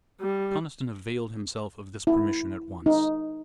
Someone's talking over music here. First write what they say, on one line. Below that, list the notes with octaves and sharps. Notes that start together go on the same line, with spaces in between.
Conniston availed himself of this permission at once.
G3
E4
D#4